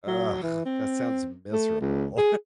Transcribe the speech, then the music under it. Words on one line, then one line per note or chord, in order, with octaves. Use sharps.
Ugh! That sounds miserable.
F#3
E3
C4
A3
C#2
G#4